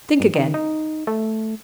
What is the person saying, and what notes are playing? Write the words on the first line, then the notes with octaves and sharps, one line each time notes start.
Think again.
G2
D#3
D#4
A3